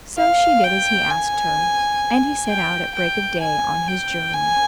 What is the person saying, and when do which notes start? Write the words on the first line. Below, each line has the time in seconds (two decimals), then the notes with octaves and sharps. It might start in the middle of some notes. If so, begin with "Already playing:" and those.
So she did as he asked her, and he set out at break of day on his journey.
0.18 F5
0.64 G5
1.10 G#5
2.49 G5
2.95 G5
3.41 G#5
3.88 G5
4.33 G#5